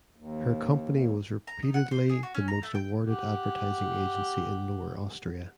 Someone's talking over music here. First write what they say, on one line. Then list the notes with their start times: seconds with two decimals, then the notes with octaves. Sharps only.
Her company was repeatedly the most awarded advertising agency in Lower Austria.
0.16 D#2
1.47 A#5
1.62 D#4
1.74 F#5
1.91 C5
2.09 G#4
2.23 F#4
2.34 C#4
2.48 A#5
2.63 A3
2.75 G5
3.07 G4 F#5